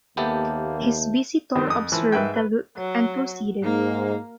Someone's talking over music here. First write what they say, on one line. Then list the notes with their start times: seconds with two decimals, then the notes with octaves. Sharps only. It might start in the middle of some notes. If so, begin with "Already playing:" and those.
His visitor observed the look, and proceeded.
0.17 D#2 A#3 B3 G4 A4 E5 A5 G6
1.55 G2 D#3 C4
1.68 F2 D#6
1.92 E3 F3
2.12 G#2 B4 E5 G5
2.36 B4
2.77 F#3
3.64 G#2 A#3